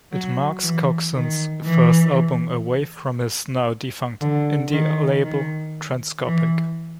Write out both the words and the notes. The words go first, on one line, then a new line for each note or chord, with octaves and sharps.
It marks Coxon's first album away from his now-defunct indie label 'Transcopic'.
F#3
E3
D#3
E3
D3
D#3
D#3
E3